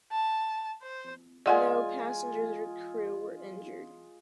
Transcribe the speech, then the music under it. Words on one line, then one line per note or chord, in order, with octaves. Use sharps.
No passengers or crew were injured.
A5
C5
G#3 F4 D5 F#5 G#5